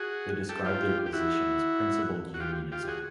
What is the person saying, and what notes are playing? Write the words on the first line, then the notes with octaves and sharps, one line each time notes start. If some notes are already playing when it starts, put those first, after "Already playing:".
They described their position as principled unionism.
Already playing: F#4 G#4
G4 A4
F4 G4
G4
E4 F#4
F#4
F4 G4
F4 G4
F#4 G#4